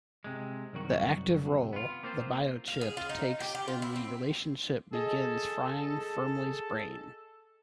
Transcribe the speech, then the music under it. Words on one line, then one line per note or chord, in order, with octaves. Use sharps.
The active role the bio-chip takes in the relationship begins frying Firmley's brain.
C3 G#3
C2 F#2 D#3 F#4
C3
B3 F4
A#3 C4 F4 B4 C5
F5
G#4
F4
D#4
G4
G4
F4
E4
C4
G#4 A4 D#5